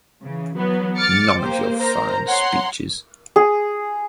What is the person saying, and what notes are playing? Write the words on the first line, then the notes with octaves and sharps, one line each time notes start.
None of your fine speeches.
C#3 E3
E3 F#3 B3
D6 F6 A6 C#7
A#3 G4 C5
A#4 C5 A#5
C#5 F#5 A#5 C6
G#4